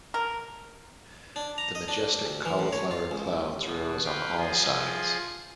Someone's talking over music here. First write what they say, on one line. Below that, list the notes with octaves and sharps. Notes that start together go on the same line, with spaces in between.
The majestic cauliflower clouds rose on all sides.
A#4
D4
A#5
D#5
D4
D2
E3
A2
C#5
F4
C#2
B2
B4 F5 G5
F3 F4 G#4